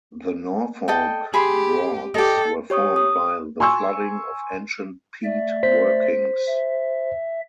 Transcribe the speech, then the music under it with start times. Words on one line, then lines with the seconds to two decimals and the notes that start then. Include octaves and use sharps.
The Norfolk Broads were formed by the flooding of ancient peat workings.
0.88 A4 D#5 G5
1.34 G4 G#4 B5 C6
2.14 G4 A4 D#5
2.70 G4 C#5 C#6 D#6
2.96 D#6
3.60 G#5 C6 C#6 E6
5.24 A3 D5 E5
5.63 C5 B6
6.47 E5